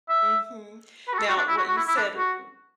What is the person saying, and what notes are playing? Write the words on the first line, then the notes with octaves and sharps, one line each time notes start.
Mhm, now, what you said, r r
E5
B4
F#4
A4
F#4
D4
E4
F#4
F#4
E4
E4
D4
F#4